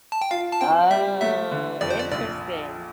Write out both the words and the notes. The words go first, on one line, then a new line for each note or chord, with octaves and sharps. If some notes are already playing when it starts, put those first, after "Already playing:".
Oh, interesting.
A5
G5
F4 F5
A5
C4 G5
G3 E5
A3 E5
D3
F2 D5
C5
D5
A#1 D5